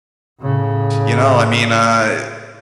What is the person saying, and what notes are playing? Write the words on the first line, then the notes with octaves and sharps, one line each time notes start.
you know, I mean, uh,
A2 C#3